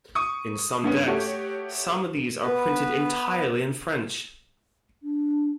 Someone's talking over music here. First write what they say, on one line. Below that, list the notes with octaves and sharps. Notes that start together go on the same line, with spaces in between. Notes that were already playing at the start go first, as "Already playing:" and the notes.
In some decks, some of these are printed entirely in French.
C#6 D#6
G2 B3 C#4
A3 F#4 G4 C#5
B3 B4
D4